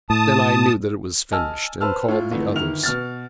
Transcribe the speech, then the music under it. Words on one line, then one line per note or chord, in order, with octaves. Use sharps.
Then I knew that it was finished, and called the others.
A2 A5 D#6
D#5 G#5 A5 E6 F6
B4 C5 A5 E6 F6
A2 F4
F2 D3 E3 A3
G1 D#3 F6 F7
B2 F6 A6